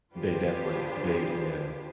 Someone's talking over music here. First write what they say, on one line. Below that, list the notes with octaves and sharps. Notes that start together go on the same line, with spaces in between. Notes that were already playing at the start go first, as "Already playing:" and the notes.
They definitely they Yeah.
D4 F4 G4 G#4 B4 C5